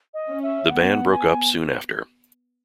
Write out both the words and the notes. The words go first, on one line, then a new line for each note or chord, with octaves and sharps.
The band broke up soon after.
D#5
C#4
E5
B3 F#5
G#5